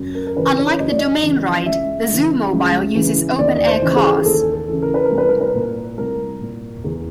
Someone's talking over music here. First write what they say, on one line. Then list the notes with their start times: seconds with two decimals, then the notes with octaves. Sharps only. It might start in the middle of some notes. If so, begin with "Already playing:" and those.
Unlike the Domain Ride, the Zoomobile uses open air cars.
Already playing: F#2
0.15 A#4
0.27 A#4
0.37 C#3 E3 B4
0.58 C#5
0.80 F#2 D#5
0.89 D5
0.99 D#5
1.23 C#3 E3
1.66 C#2 E5
2.09 C#3 E3
2.52 C#2
2.95 C#3 E3
3.39 D#2 D5
3.48 D#5
3.57 D5
3.67 C5
3.82 C#3 E3
3.96 G#4
4.18 G#4
4.25 D#2 A4
4.53 A4
4.68 C#3 E3
4.82 A#4
4.94 B4
5.05 A#4
5.11 C2
5.18 B4
5.29 A#4
5.41 B4
5.52 A#2 A#4
5.98 C2 A#4
6.41 A#2
6.84 E2